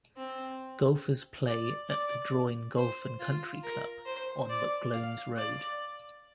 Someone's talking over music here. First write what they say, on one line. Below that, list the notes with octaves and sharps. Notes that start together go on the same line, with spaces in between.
Golfers play at the Drouin Golf and Country Club on Mcglones Road.
C4
D5
D5
C5
F4
A#4
C5
D5
F5
D5